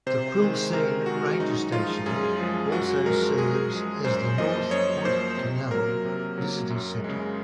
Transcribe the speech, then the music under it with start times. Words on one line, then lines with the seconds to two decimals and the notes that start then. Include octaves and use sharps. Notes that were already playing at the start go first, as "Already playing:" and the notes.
The Quilcene Ranger Station also serves as the North Hood Canal Visitors Center.
0.07 C3 C5
0.40 D#3 G#3
0.73 C3 A#4
1.06 D#3 G#3 F#4
1.40 F#2 D#4
1.72 F3 G#3 F4
2.06 F#2 G#4
2.39 F3 G#3
2.72 F#2 F#4
3.05 F3 G#3 A#4
3.38 F#2 G#4
3.72 F3 G#3
4.05 F#2 C5
4.38 F3 A#3 D#5
4.71 F#2 C#5
5.04 F3 A#3 C5
5.37 C3
5.71 F#3 A#3 A#4
6.05 C3
6.38 F#3 A#3
6.70 F#2
7.04 C#3 G#3